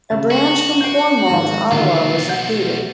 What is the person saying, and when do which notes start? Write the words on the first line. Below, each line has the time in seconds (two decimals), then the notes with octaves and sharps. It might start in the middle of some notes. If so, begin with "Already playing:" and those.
A branch from Cornwall to Ottawa was included.
0.11 C#3
0.31 F#4
0.81 G6 C7 D7
1.30 G#2 D#3
1.71 B1 A#2 D3 D#3 F4
2.29 F#5 G6